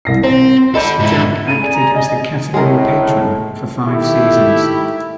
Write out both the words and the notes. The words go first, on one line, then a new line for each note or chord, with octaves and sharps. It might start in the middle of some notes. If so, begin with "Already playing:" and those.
Sir Jack acted as the category patron for five seasons.
C2 A#6 C7
C4 C5
A4 D5 D#5 B5 G6
G#2 E4
A4 A#5 B5 D#7
G#4 D5 G#5
A#5
D#5
D#5
A2 G#3 G#4 A#4
D#3 A3 E4 G4